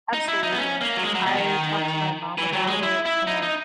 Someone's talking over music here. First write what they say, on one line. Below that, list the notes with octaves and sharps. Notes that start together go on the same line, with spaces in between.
Absolutely. I talked to my mom about it, and
D#4
E4
D#4
B3
C#4
A#3
F#3
G#3
F#3
B2
D#3
E3
F#3
G#3
E4
E4
D#4
D#4